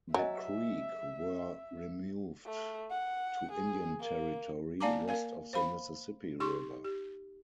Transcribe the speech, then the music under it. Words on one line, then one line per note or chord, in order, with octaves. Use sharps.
The Creek were removed to Indian Territory west of the Mississippi River.
F#3 D#5 E5 G#5
A3
F#5
G#4
A#3
A#3 D5 F5 A5 A#5 D6
A#4 F5 G#5
C5 F5 B5
D#4 G4 C6 C#6
G4